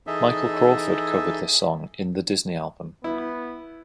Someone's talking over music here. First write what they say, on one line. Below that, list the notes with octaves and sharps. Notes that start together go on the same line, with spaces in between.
Michael Crawford covered this song in "The Disney Album".
E3 D#4 G#4 A4 D#5 E5
B3 E4